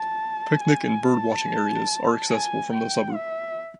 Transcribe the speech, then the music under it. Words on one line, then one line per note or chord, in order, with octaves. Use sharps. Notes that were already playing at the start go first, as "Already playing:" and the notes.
Picnic and bird-watching areas are accessible from the suburb.
Already playing: A5
G#5
A5
G#5
G5
E5